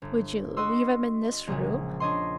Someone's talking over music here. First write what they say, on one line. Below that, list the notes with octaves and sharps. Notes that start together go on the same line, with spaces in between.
"Would you leave him in this room?"
G1
F#4 D#5 C6 E6
A#1 C#3 F3 G#3
D4 C#5 D#5 C6